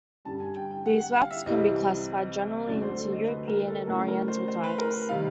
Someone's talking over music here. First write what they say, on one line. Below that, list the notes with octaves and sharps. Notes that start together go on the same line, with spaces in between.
Beeswax can be classified generally into European and Oriental types.
G2 D3 G3 A5
G#5
G5
G5
F#5
F#5
F5
E5
C2 C3 E3 G3 D#5
D2 D3 F#3 D5
C5
A4
D#5
B4
A#4
A4
A2 F3 A3 C#4 A#4
A#4
C5
C5
B4
A#4
C3 D#3 G3 F5